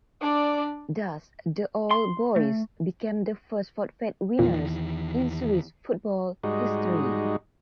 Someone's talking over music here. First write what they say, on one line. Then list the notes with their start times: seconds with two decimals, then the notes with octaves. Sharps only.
Thus the Old Boys became the first forfait winners in Swiss football history.
0.21 D4 D5
1.91 C6
2.36 A3
4.39 E2 A#2 D#3 E3
6.44 G#2 G3 G#3 D#4 F#4